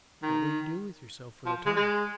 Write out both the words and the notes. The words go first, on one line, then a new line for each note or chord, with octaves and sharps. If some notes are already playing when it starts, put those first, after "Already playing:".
"What will you do with yourself for the time?"
D#3
F3
G#3
G#3